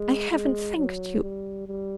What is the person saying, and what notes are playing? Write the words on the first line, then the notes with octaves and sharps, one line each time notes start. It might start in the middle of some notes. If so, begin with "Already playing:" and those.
"I haven't thanked you."
Already playing: G#3
G#3
F#3
G3
G3